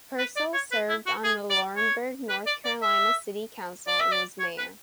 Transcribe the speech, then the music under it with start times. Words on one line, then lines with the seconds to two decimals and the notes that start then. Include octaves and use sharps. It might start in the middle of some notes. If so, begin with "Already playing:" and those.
Purcell served on the Laurinburg, North Carolina city council and was mayor.
0.18 B4
0.36 D5
0.54 C#5
0.72 B4
0.89 E4
1.06 F#4
1.24 G#4
1.50 D5
1.77 C#5
2.29 B4
2.46 D5
2.65 D5
2.82 E5
3.87 D5
4.00 E5
4.12 D5
4.40 C#5
4.58 B4